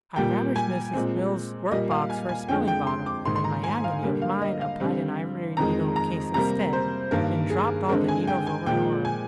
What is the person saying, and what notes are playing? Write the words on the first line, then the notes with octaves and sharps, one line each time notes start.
I ravaged Miss Mills's work-box for a smelling-bottle, and in my agony of mind applied an ivory needle-case instead, and dropped all the needles over Dora.
A#2 G3 A#3 G5
G#5
A#2 G#3 C4
A#2 G3 A#3 D#5
F5
G#5
G#5
F2 D3 G#3 G5
G5
C6
D6
G#2 D#3 A#3 C6
C6
A#5
G#5
F5
D3 G3 A#3
F5
D#5
F5
D3 G3 C4
F2 D#3 G#3 A#5
A#5
C3 G3 A#3 A#5
C5
G2 D#3 A#3 A#4
G#4
D3 G#3 C4 A#4
G#5
G5
G#5
A#2 F3 G#3 G5
G#5